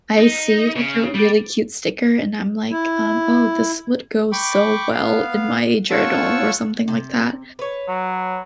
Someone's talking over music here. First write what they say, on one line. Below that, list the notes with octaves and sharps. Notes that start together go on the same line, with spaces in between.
I see, like, a really cute sticker, and I'm like, um "Oh, this would go so well in my journal or something like that.
D#4
C#3
G3
E4
G5 B5 C#6 D6
B3 F5
F4 C#5 F#5 A5 C#6 E6
C3
B4 C#5
F#3